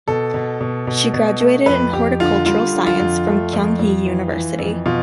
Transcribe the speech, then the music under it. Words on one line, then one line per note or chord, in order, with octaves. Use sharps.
She graduated in Horticultural Science from Kyung Hee University.
B2 A4
B2
B2
B2
B2
A3
F2 B4
F2 G4
D3 F4
G3 F4
D3
F4
F2
A3
F2
F2
E3
E3
F2
B2 F4